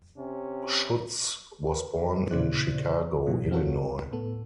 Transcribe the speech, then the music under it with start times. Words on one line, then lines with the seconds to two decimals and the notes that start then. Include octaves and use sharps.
Schutz was born in Chicago, Illinois.
0.18 C3 C#4
1.72 A#4 B4
2.31 A#2 C#3 E4 C5 D5 F#6
3.26 G#2 B2 E3 F#3
3.51 C4 F4 F#4 A4 A#4 C#5
4.12 A2 B3 A4